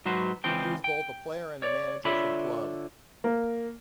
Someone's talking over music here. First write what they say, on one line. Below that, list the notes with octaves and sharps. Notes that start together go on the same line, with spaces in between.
He was both a player and a manager for the club.
G#2 F#3 F#4 B4 C5
C#2 E3 F3 C4 G5
G5
C#5 D5
D3 F4 C#5 D5 E5 B5
A#3